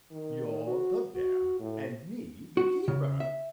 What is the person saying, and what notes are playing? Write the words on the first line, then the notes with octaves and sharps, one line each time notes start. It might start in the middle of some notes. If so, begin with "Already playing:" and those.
You're the Bear, and me the Keeper.
D#3
F#4
F#4
A2
F#4
C#3
E5